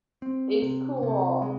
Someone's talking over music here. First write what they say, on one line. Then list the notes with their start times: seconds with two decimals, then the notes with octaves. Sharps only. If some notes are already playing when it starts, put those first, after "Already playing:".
It's cool.
0.22 C4
0.62 C3
1.03 C3
1.42 G#3